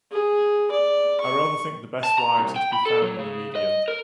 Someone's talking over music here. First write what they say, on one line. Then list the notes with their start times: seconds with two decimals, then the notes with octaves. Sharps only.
I rather think the best wives are to be found in a medium.
0.12 G#4
0.71 D5
1.21 C#6
2.03 A5
2.18 A#5
2.38 C2
2.56 G5
2.73 B5
2.86 A4
3.02 F#3
3.19 C#3
3.56 D#5
3.88 A#4